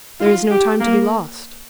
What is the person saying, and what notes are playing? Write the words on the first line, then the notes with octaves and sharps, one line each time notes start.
"There is no time to be lost."
F4
G4
A#3